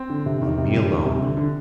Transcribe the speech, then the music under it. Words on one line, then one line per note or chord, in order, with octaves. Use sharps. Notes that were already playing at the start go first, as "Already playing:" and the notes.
On me alone.
Already playing: C4
D3
C3
D#3
C3
G3
D#3
C3
D3
D3